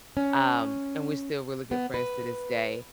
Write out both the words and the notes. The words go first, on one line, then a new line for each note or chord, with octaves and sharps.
um and we're still really good friends to this day
C#4
B3
B4